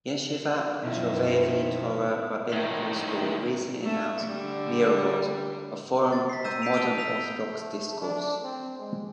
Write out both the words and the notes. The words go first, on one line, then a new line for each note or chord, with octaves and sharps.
Yeshivat Chovevei Torah Rabbinical School recently announced Meorot: A Forum of Modern Orthodox Discourse.
F#2 B2 D#3 F3 A#3 D#4 E4
A2 D#3
A3
D3 G3
A6
B6 C7
A#5 E6 G6 D#7
G6 B6 C7 D7 F7
A5 D#6 E6 D7 D#7 G7
E6 B6 F7
A3
D4
C4
G#3